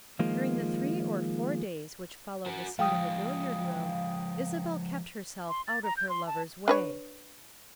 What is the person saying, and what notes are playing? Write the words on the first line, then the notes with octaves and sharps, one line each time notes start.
During the three or four days which followed the scene in the billiard-room Isabel kept herself out of her lover's way.
D#3 F3 G#3 A#3 F4
F#4 A#4
F3 G#3 F5 G5 D#6
C6
A6
A#5
G6
C6
A5
D4 B4 C#5